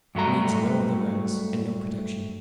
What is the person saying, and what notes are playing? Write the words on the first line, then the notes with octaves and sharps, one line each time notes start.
It needs no other guidance, and no protection.
G2 F#3 A3 A#5